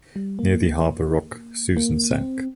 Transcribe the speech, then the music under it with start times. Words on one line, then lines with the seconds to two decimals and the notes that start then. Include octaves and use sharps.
Near the Harbour Rock "Susan" sank.
0.16 G3
0.39 A#3
1.77 A#3
2.11 C4